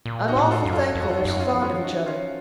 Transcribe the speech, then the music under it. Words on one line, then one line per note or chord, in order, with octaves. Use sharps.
I'm awful thankful they're so fond of each other.
A#2
D#4 F#4
A2
F#4
F4 A4
F#2
F4 A4
F2 A4
F#4
F4 A4
D#4 F#4
F#2
C#4 F4
F3
C#4 F4
D#4 F#4
C#4 F4